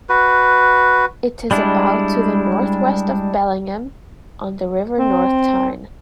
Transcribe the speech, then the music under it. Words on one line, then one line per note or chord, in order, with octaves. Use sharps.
It is about to the northwest of Bellingham, on the River North Tyne.
F#4 B4
G3 G#3 D4 E4
C4